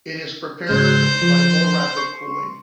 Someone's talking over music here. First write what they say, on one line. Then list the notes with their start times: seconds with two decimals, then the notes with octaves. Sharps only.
It is prepared by more rapid cooling.
0.69 G#2 C#3 G#3 C5 G6
1.22 F3
1.97 C6 C#6